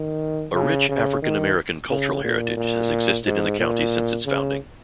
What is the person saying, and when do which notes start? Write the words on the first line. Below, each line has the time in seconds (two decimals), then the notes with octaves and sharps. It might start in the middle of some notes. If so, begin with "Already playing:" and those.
A rich African American cultural heritage has existed in the county since its founding.
Already playing: D#3
0.54 C#3
0.89 C#3
1.22 D#3
1.90 C#3
2.24 A#2
2.57 A#2
3.25 G#2
3.59 A#2
4.26 C#3